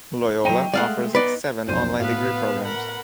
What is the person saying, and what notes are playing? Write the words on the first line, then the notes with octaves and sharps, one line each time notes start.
Loyola offers seven online degree programs.
F#3 D#4 G5 D#7
G#3 A3 D5 F5 F#5
B3 D#4 B4 D5
F1 B1 C5 D#7
A2 B3 F#4 B4 F5
A#4 F#5 B5